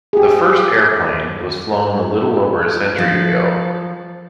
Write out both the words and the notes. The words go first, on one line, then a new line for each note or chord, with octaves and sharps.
The first airplane was flown a little over a century ago.
G4 G#4
F3